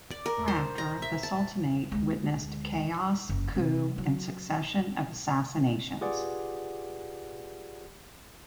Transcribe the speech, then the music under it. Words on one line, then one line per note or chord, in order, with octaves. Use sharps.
Thereafter, the sultanate witnessed chaos, coup and succession of assassinations.
D5
A#4
C5
A#5
E5
A5
D2 G#3
F#1 E3
C3
F#3
F4 G4 G#4 B4 D5 F#5